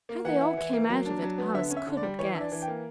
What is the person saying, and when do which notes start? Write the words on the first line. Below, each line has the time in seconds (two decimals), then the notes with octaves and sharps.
How they all came out of it Alice couldn't guess.
0.09 A#3
0.25 E3 F#5
0.41 E4
0.57 E3
0.73 A#3
0.90 F#3
1.06 D4
1.22 F#3
1.38 B3
1.54 D3 E5
1.70 C#4
1.77 E5
1.87 D3
1.97 D5
2.03 G3
2.19 E3 C#5
2.34 D4 E5
2.41 D5
2.52 E3
2.62 G5
2.68 A#3